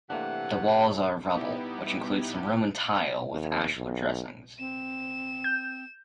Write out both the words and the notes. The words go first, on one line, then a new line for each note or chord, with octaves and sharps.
The walls are of rubble, which includes some Roman tile, with ashlar dressings.
C3 E3 A3 A#3 D4 F#5
G3 B3 D#4 E4 G4
D#2
B1
C4 E7
G6